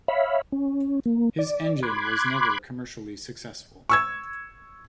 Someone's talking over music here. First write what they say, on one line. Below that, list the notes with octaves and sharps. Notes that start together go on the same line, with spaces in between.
His engine was never commercially successful.
C#5 E5 F5 B5
C#4
A#3
D5
B5 C6 D6 F#6 G#6
C#6 E6 G#6